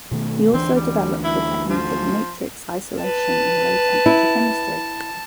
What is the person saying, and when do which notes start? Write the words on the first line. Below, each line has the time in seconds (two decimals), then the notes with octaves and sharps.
He also developed the technique of matrix isolation in low-temperature chemistry.
0.11 B2 D#3 A3
0.54 D2 E3 C4 D4
0.76 G3
1.24 E4
1.70 F3
3.04 B4 A5
4.06 E4